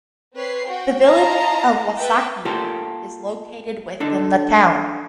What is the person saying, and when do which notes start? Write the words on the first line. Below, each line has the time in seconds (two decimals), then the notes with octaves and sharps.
The Village of Wausaukee is located within the town.
0.35 C4 B4 C#5 C7
0.67 F#4 G5
1.07 E4 F4 D#5 F5 A5 A#5
1.96 B4 E5 F#5 G5 A5
2.45 A#3 F4 G4 A4 A#4 C5
4.00 D4 D#4 A4